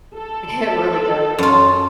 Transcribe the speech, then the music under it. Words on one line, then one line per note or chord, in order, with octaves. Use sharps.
It really does.
A4
F#2 F4